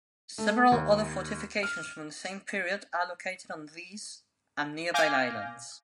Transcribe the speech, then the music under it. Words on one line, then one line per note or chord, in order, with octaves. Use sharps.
Several other fortifications from the same period are located on this, and nearby islands.
A3
D#2
F6
F5 G#5 D6 F6 G6 A#6